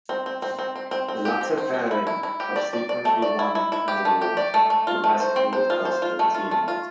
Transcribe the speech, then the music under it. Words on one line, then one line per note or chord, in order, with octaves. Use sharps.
The latter pairing subsequently won an award for best broadcasting team.
C4
C4
C4
C4
C4
C4
C4
G4
C4
C4
C4
E4
E4
E4
G4
D5
D5
D5
A3
D5
E4
E4
E4
G4
A3
G4
D5
A3
A3
F4
A3
C5
C4
C5
F4
C5
F4
A3
F4
A3
F4